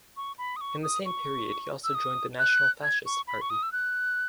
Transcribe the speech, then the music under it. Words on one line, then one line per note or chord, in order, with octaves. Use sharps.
In the same period he also joined the National Fascist Party.
C#6
B5
D#6
C#6
D#6
C#6
E6
D#6
F#6
G#6
C#6
B5
C#6
D#6
E6
F#6